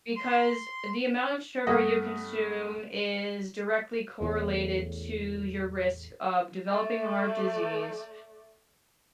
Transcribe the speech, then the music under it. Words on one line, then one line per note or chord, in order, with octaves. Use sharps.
Because the amount of sugar you consume is directly correlated to your risk of developing heart disease,
C6
G2 A3 B3 F#5 D#6 A#6
A1 E2 A2
A3 D5